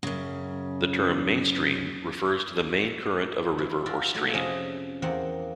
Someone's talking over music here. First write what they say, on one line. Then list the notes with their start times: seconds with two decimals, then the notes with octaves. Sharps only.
The term "mainstream" refers to the main current of a river or stream.
0.03 F#2 C#3
3.58 E4
3.86 F4 F#4 D5 E5
4.14 A3 F#4 D5
4.34 F2 C3 C#4 G#4 C#5 D#5
5.02 E2 A#3 C4 F#5